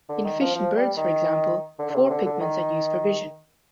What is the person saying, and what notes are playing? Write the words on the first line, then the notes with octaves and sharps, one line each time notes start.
In fish and birds, for example, four pigments are used for vision.
D3
D#3
F3
F3
G3
D#3
D3
D3
C3
D3
D3
D#3